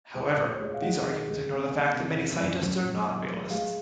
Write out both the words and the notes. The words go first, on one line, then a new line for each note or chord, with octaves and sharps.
However, these arguments ignore the fact that many scientists are not realists.
G#3 C5
A#2
C#5
G#3
F5
G#3 F#5
D#3
G#3
C3
A#3
C3
C#3
F#2
F#2
A#2
A#2
G#3
G#3 F5